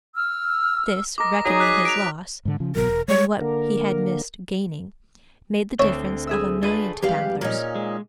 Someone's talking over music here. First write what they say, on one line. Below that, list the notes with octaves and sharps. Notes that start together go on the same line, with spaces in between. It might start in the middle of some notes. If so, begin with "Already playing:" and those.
This, reckoning his loss, and what he had missed gaining, made the difference of a million to Danglars.
E6 F6
A#4 D#5 D6 A#6
F#3 D#4 G#4 D5
F#6 B6
D7 F7
G#2 D3
C#3 F3
G#1 B2 F#3 A#4
E1
G#3 C#5
D3 A#3 A#4
D2 D3 C4 C#5 E5
G#4 E5 E6
A3 D4 F4 G#4 B4 D#7
F2 G#2 G3 G4 B4 F5
A#2 C#4 D#4
G#3